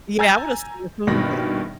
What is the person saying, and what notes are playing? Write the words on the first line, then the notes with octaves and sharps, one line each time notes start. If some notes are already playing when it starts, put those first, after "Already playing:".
Yeah, I would have assumed that though.
G#5 A#5 E6 G6 A6
A#1 G2 B2 D#3 B5 A#6